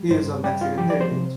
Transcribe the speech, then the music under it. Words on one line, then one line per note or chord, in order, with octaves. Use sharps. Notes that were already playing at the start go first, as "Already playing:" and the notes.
He is of Mexican heritage.
Already playing: G3
G2 C5
G3 G4
F4
F3 G4
D5
C5
C3